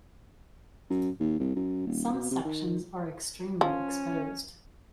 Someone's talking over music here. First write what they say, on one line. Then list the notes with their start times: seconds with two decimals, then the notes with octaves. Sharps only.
Some sections are extremely exposed.
0.90 F#2
1.20 D#2
1.40 C2
1.56 F#2
1.86 D#1
2.14 B2
2.31 C3
2.45 D#3
3.61 F3 C#4